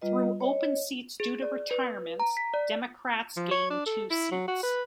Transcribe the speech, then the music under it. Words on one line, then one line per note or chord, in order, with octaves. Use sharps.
Through open seats due to retirements, Democrats gained two seats.
G3 F4 B4 D#5
C#5 D#5
G#4
D5
B4
A#5
B6
D5
F3
C#5
D4
A4
E4
F#3
F#4
B4